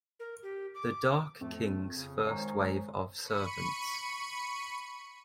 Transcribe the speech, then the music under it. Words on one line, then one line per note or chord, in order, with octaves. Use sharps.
The Dark King's first wave of servants.
A#4
G4
D6
F2 A3
C#3
D#3 G#3 C5 C#5 A#5
B5 C#6 C#7 D#7